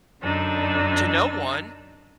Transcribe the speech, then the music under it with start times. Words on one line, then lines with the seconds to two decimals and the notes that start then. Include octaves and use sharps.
to no one
0.22 F#2 D3 D4 D#4 E6